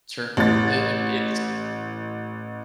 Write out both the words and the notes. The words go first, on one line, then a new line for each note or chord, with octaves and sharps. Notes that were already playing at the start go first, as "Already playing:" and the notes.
Sure, it it it's,
A1 A6